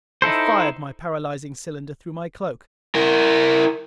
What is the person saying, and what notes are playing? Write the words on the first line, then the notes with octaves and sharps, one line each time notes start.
I fired my paralyzing cylinder through my cloak.
D#4 E4 A4 C5
E4 A#4